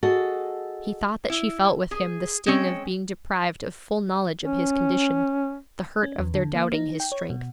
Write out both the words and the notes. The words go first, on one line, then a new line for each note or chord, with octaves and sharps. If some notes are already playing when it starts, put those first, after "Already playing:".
He thought that she felt with him the sting of being deprived of full knowledge of his condition, the hurt of their doubting his strength.
F#4 G#4 A4 D#5
E4
G#4
G#3 C4 C#4 C#5
C#4
C#4
E2
D3
A#3
D#4
G5
C#5
B2